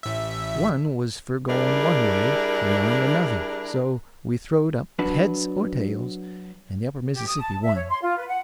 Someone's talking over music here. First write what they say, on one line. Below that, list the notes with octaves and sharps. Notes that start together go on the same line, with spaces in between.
One was for going one way, one another, so we throwed up, heads or tails, and the Upper Mississippi won.
A1 E5
G3 D4 E4 G#4 A#4
F#3 D4 B4
G4
D#6
A5
E5
C#5
C6
F4
B4
F#5